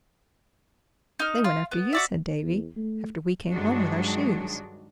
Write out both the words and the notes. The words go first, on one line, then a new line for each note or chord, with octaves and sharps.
"They went after you," said Davie, "after we came home with our shoes."
D#4 F6
F4
B3
F#4 D5 E5
E2
A3
G2 D#3 F#3 G#3 D4 F#4